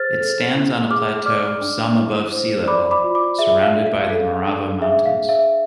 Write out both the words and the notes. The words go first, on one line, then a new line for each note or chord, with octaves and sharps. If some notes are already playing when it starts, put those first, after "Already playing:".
It stands on a plateau some above sea level, surrounded by the Morava Mountains.
Already playing: G#4 C5 F6 A6
A4
E4
G#4 D6 F6
D5 D6 F6
D4
E4
C5
D5 B5 D6
B5 D6
F4
B5 D6
G#4 E5
F5
D4
F5
A4 F5
D4
G#4 E5
F5
G#4
E5